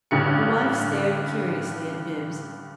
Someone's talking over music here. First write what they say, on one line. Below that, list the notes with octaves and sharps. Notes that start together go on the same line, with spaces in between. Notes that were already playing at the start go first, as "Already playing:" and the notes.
The wife stared curiously at Bibbs.
A1 G2 D3 C#7